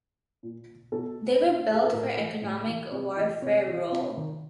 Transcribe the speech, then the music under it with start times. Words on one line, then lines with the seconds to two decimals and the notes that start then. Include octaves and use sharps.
They were built for economic-warfare role.
0.43 A#2
0.92 B2 A4
1.42 B2
1.74 G#4
1.84 A4
1.92 A2 A#4
2.17 E3
2.42 A2
2.67 E3
2.92 C3
3.16 E3 D#5
3.42 C3 C#5
3.67 E3
3.92 C3
4.17 D#3